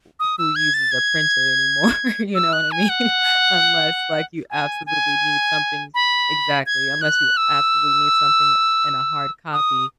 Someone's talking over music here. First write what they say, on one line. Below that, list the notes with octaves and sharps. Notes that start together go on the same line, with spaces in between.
w who uses a printer anymore, you know what I mean? Unless, like, you absolutely need something exactly, unless you absolutely need something in a hard copy,
D#6
E6
G#6
A6
G#6
E6
F#6
G#5
F#5
G#5
G#5
B5
G#6
F#6
E6
D#6